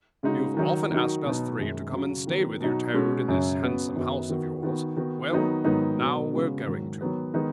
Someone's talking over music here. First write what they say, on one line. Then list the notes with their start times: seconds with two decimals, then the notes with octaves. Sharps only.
You've often asked us three to come and stay with you, Toad, in this handsome house of yours; well, now we're going to.
0.23 C#3 G#3 D#4 F#4
0.57 D#3 F#3 D#4 F#4
0.92 D#3 F#3 D#4 F#4
1.25 B2 F#3 B3 D#4
1.59 F#2 D#3 G#3
1.92 C#3 F#3 C#4 F#4
2.27 D#3 F#3 B3
2.61 B2 F#3 D#4 F#4
2.94 B2 G#3 C#4 F#4
3.28 F#2 C#3 F#3
3.62 C#3 B3 F#4
3.96 F#2 D#3 B3 D#4 F#4
4.29 D#3 B3 F#4
4.63 D#3 B3 D#4 F#4
4.97 D#3 B3 F#4
5.31 D#3 F#3 B3 D#4 F#4
5.65 G#2 D#3 F#3 B3 D#4
5.99 B2 F#3 B3
6.32 C#3 G#3 B3 F#4
6.66 G#2 D#3 F#3
7.01 D#3 F#3 B3
7.34 D#3 G#3 B3 D#4